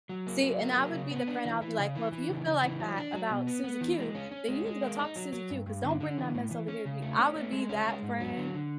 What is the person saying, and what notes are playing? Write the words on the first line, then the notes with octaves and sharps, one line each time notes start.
See, and I would be the friend, I'll be like, "Well, if you feel like that about Susie Q, then you need to go talk to Susie Q, 'cause don't bring that mess over here to me." I would be that friend,
F#3
A#3
F#3
A#3
F#3
C#3
B3
D4
E3
E3
C#3
E3
E3
C#3
C#3
E3
F#3
D4
F#3
B2
B3
B3
E3
G#3
C#4
C#4
G#3
G#3
A#3
D#4
F#3
F#3
G2
G2
D3
D3
E3
A2
E3
C#4
C#3
A3
C#4
A3
G#3
C#4
G#3
G#2
F#3
D3
D3